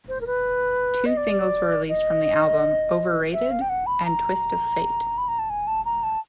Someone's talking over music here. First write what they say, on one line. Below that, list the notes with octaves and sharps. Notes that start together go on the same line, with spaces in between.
Two singles were released from the album: "Overrated" and "Twist of Fate".
C5
A#4
B4
D#5
D5
D#5
E5
F5
G5
F#5
B5
A#5
B5
A#5
A5
G#5
A5
A#5
A5